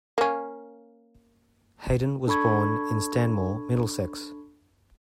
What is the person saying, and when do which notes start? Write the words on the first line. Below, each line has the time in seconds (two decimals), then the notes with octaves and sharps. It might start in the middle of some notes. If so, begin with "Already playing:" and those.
Hayden was born in Stanmore, Middlesex.
0.18 A#3 C#4
2.28 D4 A4 B5 C#6 G#6